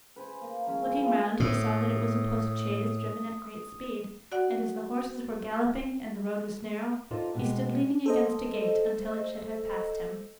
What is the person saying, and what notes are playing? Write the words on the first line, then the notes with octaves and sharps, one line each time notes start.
Looking round, he saw that it was a post-chaise, driven at great speed; and as the horses were galloping, and the road was narrow, he stood leaning against a gate until it should have passed him.
B4 C5 G#5
A#3
F3 G#3 C#4
C#3 G3 F4
A2 D#6
F#4 D5 F#5
D#4 F4 A4 C5 D5
B2 G#3 G4
A4 C5 D#5